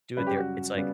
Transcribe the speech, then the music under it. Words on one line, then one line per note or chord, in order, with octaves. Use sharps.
do it there, it's like,
F#2 C#3 G3 C#4 B4
G4
F#4
C#3 G3 B3